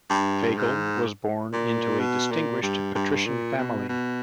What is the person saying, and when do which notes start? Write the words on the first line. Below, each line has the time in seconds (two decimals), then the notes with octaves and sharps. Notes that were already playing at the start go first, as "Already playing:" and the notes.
Fagel was born into a distinguished patrician family.
0.10 G2
0.58 G#2
1.53 A#2
2.00 B2
2.32 A#2
2.63 G2
2.95 G2
3.26 A#2
3.58 B2
3.89 B2